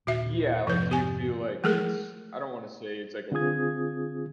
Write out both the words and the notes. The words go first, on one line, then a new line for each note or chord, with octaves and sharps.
Yeah, like, do you feel like it's I don't wanna say it's like a
D#2 A#2 F#4 E5
F2 G#2 C3 F3 B4
G4 G#5
E3 F3 G#3 A3 G#4 A#4
D3 C4 F4 G#4 D#6 G#6